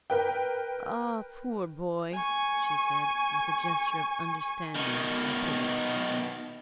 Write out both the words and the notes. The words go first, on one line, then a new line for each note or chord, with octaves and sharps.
"Ah, poor boy!" she said, with a gesture of understanding and pity.
A#4 B4 G5
G#5 C#6
B2 D#3